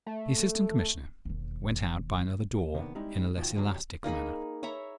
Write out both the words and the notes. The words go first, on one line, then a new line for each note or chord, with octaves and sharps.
The Assistant Commissioner went out by another door in a less elastic manner.
A3
E1 D#2
C3 D#3 G3 A#3 B3 D4
G3 G#3 C4 D#4 E4
A2 D#3 F3 F4 F#4 G5
F#2 B2 D3 E3 F#3 G3
A#3 D#4 G#4 B5
C#5 E5 A#5 B5